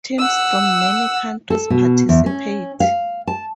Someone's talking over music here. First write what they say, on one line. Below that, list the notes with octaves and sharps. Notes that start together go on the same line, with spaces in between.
Teams from many countries participate.
F#5 E6
A4
B2
E2
C#4
F5
A5